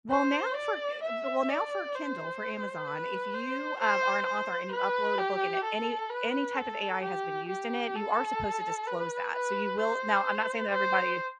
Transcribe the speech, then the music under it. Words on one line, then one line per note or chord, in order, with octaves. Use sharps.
Well, now for g g well, now for Kindle, for Amazon, if you, um, are an author and you upload a book and it any any type of AI has been used in it, you are supposed to disclose that. So you will now I'm not saying that everybody
C5
D5
E5
D5
C5
B4
C5
C5
C5
B4
G4
A4
B4
A4
G4
G4
A4
B4
B4
C5
C5